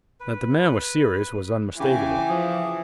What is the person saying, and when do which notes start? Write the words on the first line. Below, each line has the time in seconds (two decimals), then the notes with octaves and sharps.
That the man was serious was unmistakable.
0.20 B4
1.80 C#3 E3 G4 G#5 D6
2.29 F3 G#4